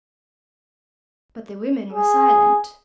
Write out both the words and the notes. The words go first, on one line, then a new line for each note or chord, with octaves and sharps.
But the women were silent.
G#4